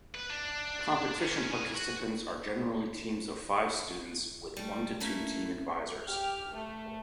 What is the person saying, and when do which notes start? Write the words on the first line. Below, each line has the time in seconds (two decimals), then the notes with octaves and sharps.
Competition participants are generally teams of five students with one to two team advisers.
0.15 B4
0.30 D4
1.21 D#3 C#4
1.51 F4 G#5
1.75 F#4
4.57 G3 A3
5.00 A3 A#3 C#4 E4
6.03 G4 F6
6.51 A3